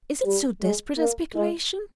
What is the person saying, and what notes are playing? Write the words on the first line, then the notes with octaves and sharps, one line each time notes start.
Is it so desperate a speculation?
G3
G#3
A#3
G#3